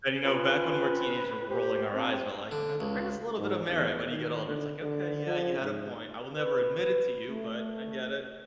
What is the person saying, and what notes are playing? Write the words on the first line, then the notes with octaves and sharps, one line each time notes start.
And, you know, back when we're teenagers, we're rolling our eyes but, like, you know, there is a little bit of merit when you get older, it's, like, "Okay, yeah, you had a point. I will never admit it to you, but I get it."
C4 C#4 F4 B4
G4 C5
C4 D4
D3
C#2
G#2
E2
D#3
D3
D3
F3
G#2
B4
A3